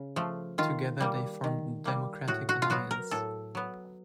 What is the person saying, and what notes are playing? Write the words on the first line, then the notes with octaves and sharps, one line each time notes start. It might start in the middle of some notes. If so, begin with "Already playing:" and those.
Together they formed the Democratic Alliance.
Already playing: C#3
F3 A3
D#3 F4
G3 A#3
D#3
G3 A#3
A2 F#4
F#4
F4
F#3 B3 F#4
A#4
A2 A4
F#3 B3